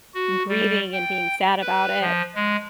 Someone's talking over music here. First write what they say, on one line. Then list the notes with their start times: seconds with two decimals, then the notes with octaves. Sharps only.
grieving and being sad about it,
0.14 F#4
0.49 G3
0.93 G5
1.61 B4
2.01 F3
2.35 G#3